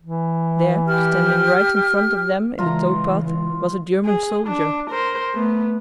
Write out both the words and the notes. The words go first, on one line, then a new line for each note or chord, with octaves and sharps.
There, standing right in front of them in the tow-path, was a German soldier!
E3
G4 F6
C#3 E3 G#3 F4 A#5
G#4
D4
A#4 C5
A3 B3